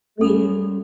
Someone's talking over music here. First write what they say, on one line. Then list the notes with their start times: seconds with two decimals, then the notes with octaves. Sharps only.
Oh, yeah.
0.21 F#2 G3 B3 C#4 A4